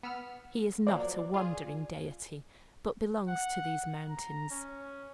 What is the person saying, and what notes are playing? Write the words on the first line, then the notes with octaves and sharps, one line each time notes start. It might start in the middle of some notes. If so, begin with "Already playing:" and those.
He is not a wandering deity, but belongs to these mountains.
B3 E6 F6
F3 F#3 A#3 D5
F4 G#4
F#5
A#5
C#4